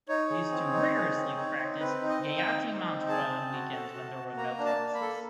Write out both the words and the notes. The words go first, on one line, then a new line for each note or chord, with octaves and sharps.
He used to rigorously practice Gayatri Mantra on weekends when there were no classes.
D#4 C#5
G#4
C4
D#4
G#4
C4
D#4
C4
C4 B4
D#4
D#5
C4
G5
D#4
D#4
C4
G#4 A5
C4
F#4
A4
F#4
F#4
A#3 A#5
D4
A5
A#3
B5
A4